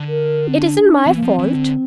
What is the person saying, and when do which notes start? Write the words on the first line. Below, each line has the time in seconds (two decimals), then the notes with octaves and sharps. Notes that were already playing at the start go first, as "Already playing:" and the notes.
It isn't my fault.
Already playing: D3
0.08 A#4
0.48 C4
0.57 D4
1.05 E3 C4
1.16 A#3
1.22 F3 C4
1.39 E3
1.54 D3